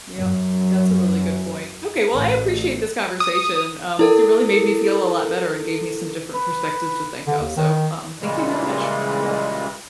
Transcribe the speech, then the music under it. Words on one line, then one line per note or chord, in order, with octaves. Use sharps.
Yep. That's a really good point. Okay. Well, I appreciate this conversation. Um, you really made me feel a lot better, and gave me some different perspectives to think of. So, um, thank you very much. Yeah.
F#2
A1
D#6
E4 A4 A#4
B4
D3
D#2
D#3
A#2 C#3 E3 G3 G#3